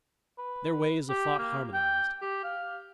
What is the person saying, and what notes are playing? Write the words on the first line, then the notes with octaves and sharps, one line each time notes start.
Their ways of thought harmonized.
B4
G4
A#3
G5
G4
F5